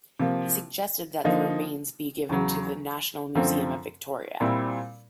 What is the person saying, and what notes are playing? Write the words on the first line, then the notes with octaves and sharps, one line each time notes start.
He suggested that the remains be given to the National Museum of Victoria.
C3 F3 A#3
D3 F3 A#3 D#4
E2 C#3 F#3
F#2 D3 F3 A3 C4
A#2 G3 C4 E4